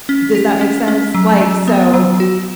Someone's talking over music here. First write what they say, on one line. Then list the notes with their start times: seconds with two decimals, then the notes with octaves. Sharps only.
Does that make sense? Like, so,
0.09 C#4
0.35 G4
0.61 C#4
0.88 C#4
1.14 F#3
1.41 F#3
1.68 B3
1.94 F#3
2.20 F#4